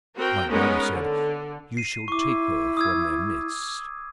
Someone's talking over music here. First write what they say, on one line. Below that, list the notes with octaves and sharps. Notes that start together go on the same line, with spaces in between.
My brother said, 'You shall take her from their midst.
C4 F#4 A#4 G5
G#3 B3 C#4 D#4 A#4
D3
C7 D#7
E4 C#6 D6
D#6 E6 G#6